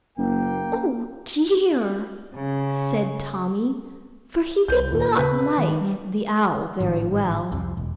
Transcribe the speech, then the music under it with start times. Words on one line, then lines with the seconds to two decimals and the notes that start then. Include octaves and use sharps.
"Oh, dear!" said Tommy, for he did not like the Owl very well.
0.18 F#1 A#3 G5
2.35 C#3
4.68 C2 G6
4.92 D#2 A#2
5.18 C#3 B4
5.58 D#3
5.81 G3
6.80 G#1 A2 D#3 F3
7.52 C2 F2 C3
7.77 E1